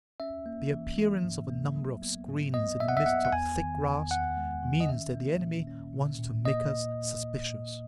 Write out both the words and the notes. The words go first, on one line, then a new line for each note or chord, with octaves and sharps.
The appearance of a number of screens in the midst of thick grass means that the enemy wants to make us suspicious.
C#4 E5
A#3
E3
E3
G#2
A#3
F#3
B3
G#2
B3 D#5
B3 E5
F#5
E5
B3 F#5
F#5
E2 G#5
D#3
E2
E2 F#5
G#3
D#3
D#5
C#4 E5
A#3
A#2
C#4
A#2
A#2
A#3 D#5